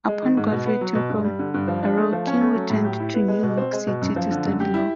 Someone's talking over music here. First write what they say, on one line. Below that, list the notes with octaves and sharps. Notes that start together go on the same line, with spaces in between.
Upon graduating from Harrow, King returned to New York City to study law.
G#3
D#3
G#2
B2
B3
F#3
B2
G2
G3
D3
G2
F3
D4
A3
F3
C#4
A3
F#3
A2
G4
E4
B3
G#3
B2
C4
G#3
B2
F#2
F3
D3
F#2
G4
E4